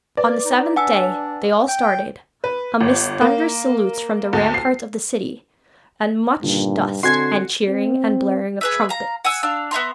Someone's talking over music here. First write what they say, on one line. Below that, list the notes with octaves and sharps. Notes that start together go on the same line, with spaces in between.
On the seventh day they all started, amidst thunderous salutes from the ramparts of the city, and much dust, and cheering, and blaring of trumpets.
B4 D5
D#4
D4 F#5 G#5 E6
G5
B4
G1
A#3
D2
C7
G2 A#2 D3 D#3
D3 C4 F#4 A4 G#5 C6 G#6 C7
C4
G#4 B4 E5
F5 A#5
F#5 G#5 E6
D4 F5 E6
B3 E5 A#5 C6